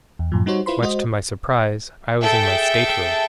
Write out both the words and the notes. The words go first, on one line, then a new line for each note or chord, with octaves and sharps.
Much to my surprise, I was in my stateroom.
E2
F#2 A2 F3
G3 D#4 F#4 C5 C#5
E4 F4 B4 C5 B5 C6
G#3 F#4 C5 D#5
G#4 A4 E5 G5